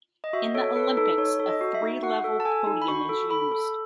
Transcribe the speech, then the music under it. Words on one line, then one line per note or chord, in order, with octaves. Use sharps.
In the Olympics a three-level podium is used.
D#5
F#4 E5
A4 C#5
A4 B4
D#4 A4
D#4 C#5
A4
D#5
F#4
E5
D#4
F#4 F#5
A4
A5
A4 G#5
D#4
B5
F#4 C#6
A4
A4 B5
A4